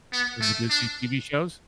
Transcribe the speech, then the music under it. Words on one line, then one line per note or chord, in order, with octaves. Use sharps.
From the Disney TV shows?
B3
A3
D4